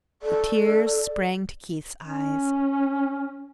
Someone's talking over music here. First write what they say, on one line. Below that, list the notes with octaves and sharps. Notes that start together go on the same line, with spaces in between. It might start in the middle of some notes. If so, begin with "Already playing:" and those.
The tears sprang to Keith's eyes.
A4 D5
C#4